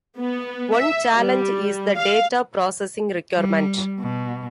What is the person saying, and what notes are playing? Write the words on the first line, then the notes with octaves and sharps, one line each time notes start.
One challenge is the data processing requirement.
B3
E5
G3
F5
G3
B2